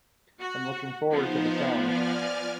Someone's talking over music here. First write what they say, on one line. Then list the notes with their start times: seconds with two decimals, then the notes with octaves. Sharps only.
I'm looking forward to the challenge.
0.41 F#4
1.10 F3 B3 D#4 C5
1.77 D5 G#5 F6